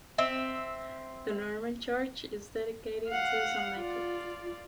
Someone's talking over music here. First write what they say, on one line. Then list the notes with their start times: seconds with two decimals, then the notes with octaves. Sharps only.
The Norman church is dedicated to Saint Michael.
0.18 C4 E5
3.08 F5 F#5
3.77 F4 D5